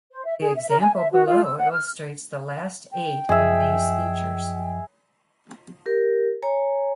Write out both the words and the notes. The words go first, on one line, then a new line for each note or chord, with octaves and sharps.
The example below illustrates the last eight of these features.
C5
E5
G#4
E5
A#4
G#5
E5
F#4
F4
E6
F#5
F6
G5
F#2 F3 G#4 D#5 E5
G4 A#4
C#5 G#5 A#5